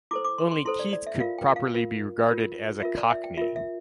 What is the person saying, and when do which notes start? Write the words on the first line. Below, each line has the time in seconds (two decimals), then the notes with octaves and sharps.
Only Keats could properly be regarded as a cockney.
0.11 E4 A4 C5 D6
0.25 D6
0.38 C6
0.51 C6
0.65 E4 A4 C5 C6
0.79 D5
0.93 D5
1.07 E5
1.20 F4 A#4 F5
1.38 G5
1.56 F5
1.74 F4 A#4
2.29 F4 A#4
2.82 F4 A#4 E5
2.97 D5
3.10 E5
3.24 G5
3.37 F4 A#4 E5
3.56 E5